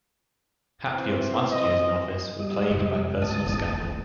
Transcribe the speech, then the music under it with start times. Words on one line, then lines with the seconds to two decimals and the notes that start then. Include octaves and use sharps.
Hatfield's last years in office were plagued by personal scandal.
0.88 E3 C4
1.51 D#5
2.40 G3 D#5
2.71 F2 C3
3.22 C#2 A5 D#6
3.45 D#1 A1 E2